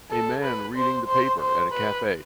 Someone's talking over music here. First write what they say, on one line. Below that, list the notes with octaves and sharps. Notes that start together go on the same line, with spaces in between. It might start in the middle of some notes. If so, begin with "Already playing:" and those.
A man reading the paper at a cafe.
A4
B4
C5
C5
C5
B4